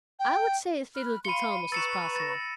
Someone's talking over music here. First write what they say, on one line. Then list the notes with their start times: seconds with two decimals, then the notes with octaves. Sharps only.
I would say as little to Thomas as possible.
0.19 G5
0.95 B5 F6 F#6
1.25 F5 B5 C6 C#7 D#7 G7
1.72 B4 A#5 C#6 E6 A6 C#7 E7
2.16 A6 A#6